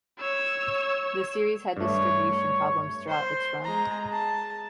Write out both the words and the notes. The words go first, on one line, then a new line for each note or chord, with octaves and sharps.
The series had distribution problems throughout its run.
C#5 E6
G2 A3 C#5
C5
G#3 A#5
A5